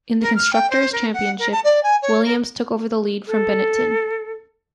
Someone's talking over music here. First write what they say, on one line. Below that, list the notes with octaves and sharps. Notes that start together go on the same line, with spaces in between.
In the Constructor's Championship, Williams took over the lead from Benetton.
A#4
F6
G5
C5
A#4
F#5
A#4
A5
D5
G#5
C#5
A#4
A4